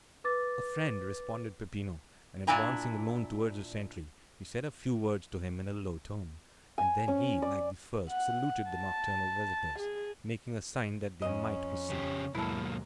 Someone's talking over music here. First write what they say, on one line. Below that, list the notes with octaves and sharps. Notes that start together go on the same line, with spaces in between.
"A friend!" responded Peppino; and, advancing alone towards the sentry, he said a few words to him in a low tone; and then he, like the first, saluted the nocturnal visitors, making a sign that they might proceed.
B4 D6 A6
A#2 D4 E4 G#5 A#5
G#5
C#4
D5
F#5
A5
G#4
F2 C#4 D#5
C#3 G4
D#2 G#2 B2 F#3 A#3 E4 A4